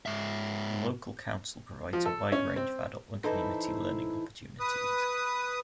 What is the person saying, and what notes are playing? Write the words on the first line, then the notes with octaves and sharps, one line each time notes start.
The local Council provides a wide range of adult and community learning opportunities.
G#2 E5
F3
A4
C#4
C4
E3 D#4 E4 A4 C5
B4 D#6